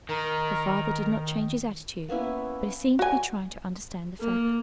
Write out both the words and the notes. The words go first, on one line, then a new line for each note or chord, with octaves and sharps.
Her father did not change his attitude, but he seemed to be trying to understand the fact.
D#3 A#4
A#3 B3 C#4 E4
F#4 G#5
A#3